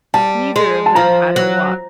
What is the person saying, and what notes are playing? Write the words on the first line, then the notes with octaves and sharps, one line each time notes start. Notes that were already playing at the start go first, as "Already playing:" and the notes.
Neither of them had a watch.
G3 A5
G#3
A5
F3 A#5
F#3